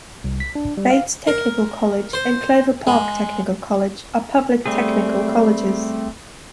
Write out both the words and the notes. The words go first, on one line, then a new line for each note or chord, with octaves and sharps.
Bates Technical College and Clover Park Technical College are public technical colleges.
C2
B6
D4
G3
F5
A#4
C5
G#3
G3 A3 C4 G#4